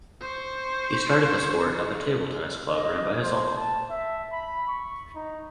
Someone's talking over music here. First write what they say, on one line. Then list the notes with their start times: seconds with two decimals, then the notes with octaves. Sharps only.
He started the sport at the table tennis club ran by his uncle.
0.21 C5 C#6
2.73 D#5
3.21 C5
3.57 A5
3.90 E5
4.32 B5
4.68 C#6
5.15 D#4